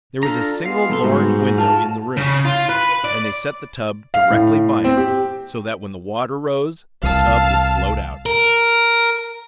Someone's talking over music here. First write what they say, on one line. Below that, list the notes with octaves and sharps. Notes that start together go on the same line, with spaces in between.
There was a single large window in the room, and they set the tub directly by it, so that when the water rose the tub would float out.
D4 F4 A4 A#5
G#3 B3 F4 F5
G3 B3 A4 C6
G#2 F#4
F4 A5
C#3
F4
B4
D5
F5
A2
C4
G4
C2 F5 A5 E6
A#4